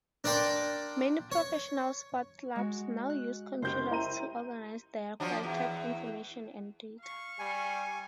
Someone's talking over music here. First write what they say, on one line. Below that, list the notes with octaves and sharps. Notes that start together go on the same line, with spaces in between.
Many professional sport clubs now use computers to organize their collected information and data.
D4 A#4 D5 G5 C6 D6
C#5
G#3 F#4
F#6
F#1 G4 C5 G6
E4 A#5 D#7
F3 F#3 D4
E2
F5 C#6
G3 G#5